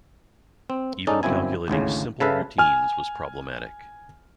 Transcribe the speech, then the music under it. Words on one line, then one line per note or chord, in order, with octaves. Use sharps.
Even calculating simple routines was problematic.
C4
C#4 D#4 G#4 A4 D5
G1 F#2 C4 E4 G#5
G#1 D2 A2 C#3
C#3 A4 B4 E5 F5
G#5 F6